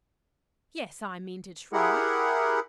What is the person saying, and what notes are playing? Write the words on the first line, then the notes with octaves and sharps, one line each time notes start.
"Yes; I mean to try."
E4 G4 G#4 A#4 F#5